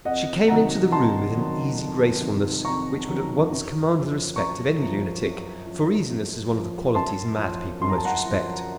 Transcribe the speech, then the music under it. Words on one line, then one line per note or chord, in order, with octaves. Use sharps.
She came into the room with an easy gracefulness which would at once command the respect of any lunatic--for easiness is one of the qualities mad people most respect.
F2 D#5 F#5
C3 D#3 F#3 F#5 A#5
F2 A5 C6
C3 D#3 F#3
F2
C3 D#3 F#3
F2 A#5 C#6
C3 D#3 F#3
F#2
F3
F#2 A#5 C#6
F3
F#2
F3
F#2
F3
F#2 A5 C6
F3
F#2 C6
A#5
A5
F#5 A#5
F3